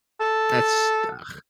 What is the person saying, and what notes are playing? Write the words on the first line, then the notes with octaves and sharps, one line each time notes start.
That's ugh.
A4